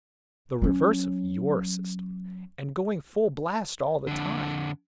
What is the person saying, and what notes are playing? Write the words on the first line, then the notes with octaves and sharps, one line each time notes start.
The reverse of your system, and going full blast all the time.
F#3 C#4
F2 D3